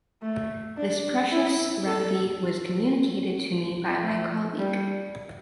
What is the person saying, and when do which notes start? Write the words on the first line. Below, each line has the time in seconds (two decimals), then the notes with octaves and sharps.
This precious remedy was communicated to me by my colleague.
0.23 A3
0.77 D4
1.32 E4
1.87 A4
4.03 A3
4.58 G3